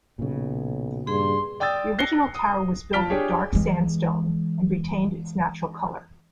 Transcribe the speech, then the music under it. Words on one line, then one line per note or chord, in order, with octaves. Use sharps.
The original tower was built of dark sandstone and retained its natural color.
B1 A#2 C#3
G2 G#4 C6
D5 G5 D#6 E6 A6
F#6 A#6 C7 C#7 G7
D#6
F3 A5 F6 B6 D7 G7
D4 G4 G#4 C#5
E3 G#3